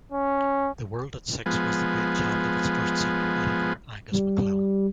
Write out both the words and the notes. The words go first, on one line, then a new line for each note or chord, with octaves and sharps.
"The World at Six" was the brainchild of its first senior editor, Angus McLellan.
C#4
F3 G#3 B3
G3